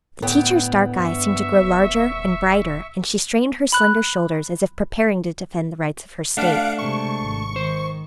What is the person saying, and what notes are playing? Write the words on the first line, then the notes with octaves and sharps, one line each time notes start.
The teacher's dark eyes seemed to grow larger and brighter, and she straightened her slender shoulders as if preparing to defend the rights of her State.
D2 A2 B3 G5
G2 E5 C#6
D#1
B5 F#6
A3 D4 F5 F#5 D7
C3 G#3 C#6
G#1
D#3 C5